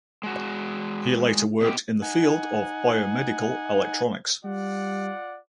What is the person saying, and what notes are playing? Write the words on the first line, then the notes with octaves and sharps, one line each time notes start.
He later worked in the field of biomedical electronics.
G#3 F#4
B2 G4
D#4 F#5 G#5
G3 F4 D5 F#5